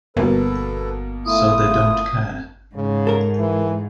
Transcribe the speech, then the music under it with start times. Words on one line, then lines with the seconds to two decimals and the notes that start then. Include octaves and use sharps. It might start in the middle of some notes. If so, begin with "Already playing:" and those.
So they don't care.
0.17 G1 B2 A#3 A4 B4
1.26 A3 E4 F4 D#6
2.76 G#2 C#3
3.07 A4 A#4
3.38 E3